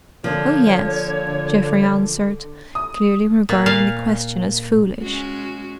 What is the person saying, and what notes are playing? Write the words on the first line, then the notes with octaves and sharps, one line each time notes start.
"Oh yes," Geoffrey answered, clearly regarding the question as foolish.
A#2 D3 F3 C#5
D#6
A#2
A#2 F5
G#3 C#4 F#4